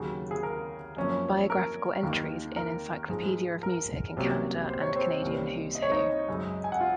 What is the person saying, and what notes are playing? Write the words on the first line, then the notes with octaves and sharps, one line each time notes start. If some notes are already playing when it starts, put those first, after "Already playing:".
Biographical entries in Encyclopaedia of Music in Canada and Canadian Who's Who.
Already playing: D#2 C#3 F#3 A#3
G#4
A#4
F#2 F3 A#3 C#4
A#4
D#2 D#3 A#3
A#4
G#2 F3 G#3
A#4
C2 C3 F#3 A#3 C#4
C5
C#5
C4 C5
C2 C3 D#3 A#3 C#4
D#5
C#5
D#4 D#5
F#2 C#3 G#3
G#5
F#5
F4